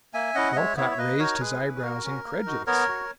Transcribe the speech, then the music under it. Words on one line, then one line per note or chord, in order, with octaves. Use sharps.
Walcott raised his eyebrows incredulously.
A#3 E5 G#5
C#4 E4 D#5 F#5
D#5
G#3 C#5 E5
B3 E4 C#5 E5
C#5
A#3 B4 D#5
D#4 F#4 A#4 C#5
G#3 G#4 B4
C#4 E4
G#4
A#3 F#4 A#4
C#4 F#4
A#3
D#4 F#4
B3 A#4 C#5
F#4